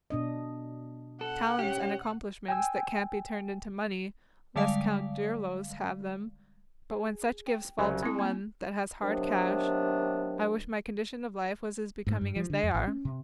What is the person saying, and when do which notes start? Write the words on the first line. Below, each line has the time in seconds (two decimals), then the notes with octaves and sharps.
Talents and accomplishments that can't be turned into money, let Count Dirlos have them; but when such gifts fall to one that has hard cash, I wish my condition of life was as becoming as they are.
0.10 B2 D4 D#5
1.21 A4 F#5
1.59 C#4 G4
2.48 G5 G#5 E6
4.56 D3 G3 G#3 D5 F5 B6
6.91 G#4
7.47 G5
7.79 C2 C#3 F#3
8.03 G#3 C4 E4
8.19 A#3
9.01 C3 D#3 F#3 A3 B3 D4
12.07 G#2
12.21 G2
12.36 F3
12.50 D3
12.63 F2
12.75 A1
12.87 C#4
13.05 C3